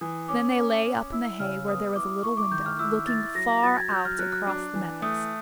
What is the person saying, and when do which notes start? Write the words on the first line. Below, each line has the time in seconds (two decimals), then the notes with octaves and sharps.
Then they lay up in the hay where there was a little window, looking far out across the meadows.
0.01 E3 D#6
0.28 C#4 D6
0.56 C#4 D6
0.84 C#4
1.12 E4 E6
1.40 C#3 F6
1.68 B3 D#6
1.96 E4 D6
2.23 E4 C#6
2.37 D6
2.51 D#3 G6
2.66 F6
2.79 E4 E6
3.07 E4 A6
3.35 F#3 A#6
3.49 A#6
3.63 F#3 A6
3.78 G#6
3.91 F#3 G6
4.05 F6
4.19 F#3 F#6
4.32 F#6
4.47 D4
4.75 E3
5.02 A3 D#6